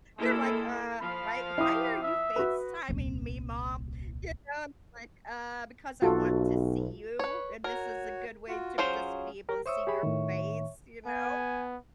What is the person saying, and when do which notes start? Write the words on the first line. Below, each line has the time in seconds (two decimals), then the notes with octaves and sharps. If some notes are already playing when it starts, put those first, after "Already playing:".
They're like, "Uh, why why are you FaceTiming me, mom?" You know, I'm just like, "Uh, because I want to see you and this is a good way to just be able see your face," you know?
0.18 G#3 A#3 E4 A4
1.00 F3 F5 B5
1.58 E4 G4 D#6
2.02 E5
2.36 F#4 B4
2.89 D#1 C2
6.02 B1 F4 F#4 A4
7.19 B4 C#5
7.64 F#4 A#4 C#5
8.48 F4 F#4
8.78 F#3 C#4 F4 G#4 C5
9.49 G4 A#4
9.66 C5 C#5 E5 C#6 D#6 E6
9.87 G4 G#4 B5
10.03 A2 D#3
11.06 B3 G#5